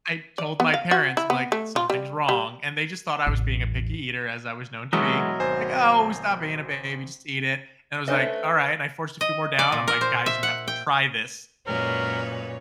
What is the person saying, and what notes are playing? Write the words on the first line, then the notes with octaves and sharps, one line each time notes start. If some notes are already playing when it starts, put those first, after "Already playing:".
I told my parents, I'm like, "Something's wrong," and they just thought I was being a picky eater as I was known to be, like, "Oh, stop being a baby, just eat it," and I was like, "Alright," and I forced a few more down, I'm like, "Guys, you have to try this,"
D5
B3
F5
F#4
E4
B3
A3
F4
G3
G3
A1 E2
B2 E3 F#3 G#3 E4 A#4 D#5 E5
G#1 C5 G#5
A3 C#4 D4 B4 C5 D#5 G#5
D#5
D5
A#2
A#4
C5
E5
F#5
G5
F#2 A#2 G#3 A#4 B4 C#5